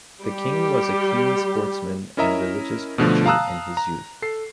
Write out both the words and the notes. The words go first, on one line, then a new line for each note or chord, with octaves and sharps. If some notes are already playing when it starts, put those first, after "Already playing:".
The King was a keen sportsman and religious preacher in his youth.
G3 G4
C#4 E4 A#4 D#5 E5 A#5
B2 D3 F3 A3
F5 A5 A#5 D#6 E6 F#6
A#5
A4 C7